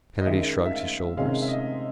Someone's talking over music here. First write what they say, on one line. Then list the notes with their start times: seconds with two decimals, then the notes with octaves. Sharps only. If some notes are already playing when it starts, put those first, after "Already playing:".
Kennedy shrugged his shoulders.
0.21 D#5
0.27 D#3 G#3 C#4 E5
0.66 E5
0.71 F5
1.17 C3 D#3 G#3 C#4 F5
1.42 E5
1.48 D#5